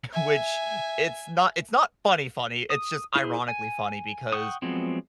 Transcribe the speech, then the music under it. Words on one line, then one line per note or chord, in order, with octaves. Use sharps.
which it's not it's not funny funny, it's just ironically funny, because
E5 G#5
D#6
E4 G#4 C5
G#5
F#5 G5 C#6 D#6
F3 F#3 G#3 B3 C4